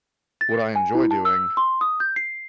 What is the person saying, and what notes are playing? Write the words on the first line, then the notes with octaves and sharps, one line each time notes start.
what I enjoy doing,
A6
G#5
E4
A5
E6
C6
D#6
G6
C7